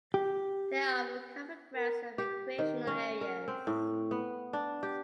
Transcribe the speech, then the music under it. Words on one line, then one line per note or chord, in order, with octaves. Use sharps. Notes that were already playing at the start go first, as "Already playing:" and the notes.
There are of common grounds and recreational areas.
G4
A#4
G4
D#3
C#4
A#4
C4
A2
B3
D4
G4